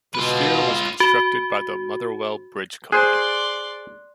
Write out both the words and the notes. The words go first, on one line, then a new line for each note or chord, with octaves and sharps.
The sphere was constructed by the Motherwell Bridge Company.
B2 F4 B4
F#4
G#4 C5 D5 C6 F#6